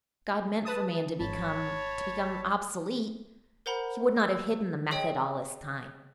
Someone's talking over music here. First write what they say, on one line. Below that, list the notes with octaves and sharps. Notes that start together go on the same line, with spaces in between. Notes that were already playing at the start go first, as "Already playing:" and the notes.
If God meant for man to become--to become obsolete, He would not have hidden the method all this time.
B4 A5 D#6
G#1 C#5 A5 B5
A#4 C5 F#5 A#5 B5
E6
G#4 C#5 D#5 G5